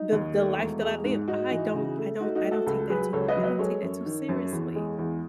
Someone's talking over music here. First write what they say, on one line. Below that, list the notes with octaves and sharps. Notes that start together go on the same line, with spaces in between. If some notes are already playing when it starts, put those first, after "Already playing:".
the the life that I live, I don't I don't I don't take that too I don't take that too seriously.
Already playing: D#4
D#2
A3
E1
G#3
G#2
G#2 D#4 F#4
E3
C#3
A3
A3 D#4 F#4
D#4 F#4
A3
F#4 A4
C#2 F#4 A4
F#3 G#4 B4
C#2 A4 C#5
B4 D#5
F#3
B4 D#5
G#3 A4 C#5
F#2
D#3
F#2
E2
G#3
E2